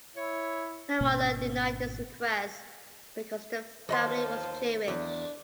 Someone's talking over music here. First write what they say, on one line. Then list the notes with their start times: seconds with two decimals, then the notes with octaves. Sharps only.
Her mother denied this request because the family was Jewish.
0.17 E4 C#5
1.01 G#1 B2 A#3 C#4
3.89 D#2 C5 D#5 F5 A5 C6
4.88 E2 D4